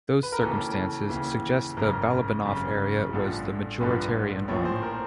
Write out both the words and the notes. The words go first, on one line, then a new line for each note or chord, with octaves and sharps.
Those circumstances suggest the Balabanoff area was the majoritarian one.
B4
A#4
D#2 C#3 E3 A4
D#2 C#3 E3
G#1 F#2 C#3 A#4
G#1 F#2 C#3
A1 G2 D3 F3
A1 G2 D3 F3 B4
A#1 A2 F3 C#5
C5
A#4